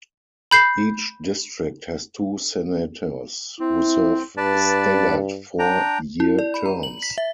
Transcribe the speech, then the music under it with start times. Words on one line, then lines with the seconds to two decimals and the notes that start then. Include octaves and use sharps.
Each district has two senators who serve staggered four-year terms.
0.51 B5 G6 C7
3.60 C4 E4
4.37 G2 B4 D5 A5
5.59 D4 G5 A#5
6.20 E4
6.39 D5
6.54 B5
6.66 A#5
6.83 F#7
7.03 B6
7.18 E5